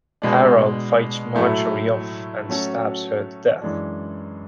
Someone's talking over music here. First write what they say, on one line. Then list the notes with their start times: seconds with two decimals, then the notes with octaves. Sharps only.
Harold fights Marjorie off and stabs her to death.
0.22 B2 G#3 D4
1.35 A2 F#3 A3 E4
2.49 F#3 A3 C#4 F#4 A4
3.62 F#2 E3 G#3 D4